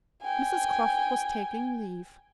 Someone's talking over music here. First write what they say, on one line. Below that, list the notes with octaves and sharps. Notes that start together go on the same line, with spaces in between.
Mrs Croft was taking leave.
G5 G#5